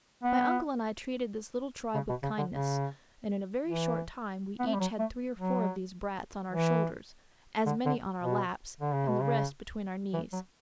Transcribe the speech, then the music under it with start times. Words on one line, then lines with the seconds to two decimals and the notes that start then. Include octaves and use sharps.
My uncle and I treated this little tribe with kindness; and in a very short time we each had three or four of these brats on our shoulders, as many on our laps, and the rest between our knees.
0.23 B3
1.94 C#3
2.09 B2
2.23 C#3
2.38 D3
2.52 C#3
3.66 E3
4.59 B3
4.66 A3
4.73 G3
4.80 F#3
4.99 A3
5.37 F#3
6.51 E3
7.66 D3
7.86 D3
8.23 B2
8.80 D3
8.94 C#3
9.08 B2
9.22 C#3
10.13 E3
10.33 F#3